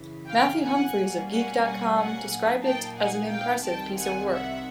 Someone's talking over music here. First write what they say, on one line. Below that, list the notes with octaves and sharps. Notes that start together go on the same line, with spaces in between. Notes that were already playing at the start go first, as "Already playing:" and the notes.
Matthew Humphries of Geek dot com described it as "an impressive piece of work".
Already playing: F#2 C#3 E3
F5 G5
F#5 G#5
B2 G3 A#3 C#4
F#5 G#5
F#5 G#5
F#5 G#5
A#2 F#3 A#3 D#4
G5 A5
F#5 G#5
F5 G5
C2 C3 D#3 G3 G5 A5
F#5 G#5
E5 F#5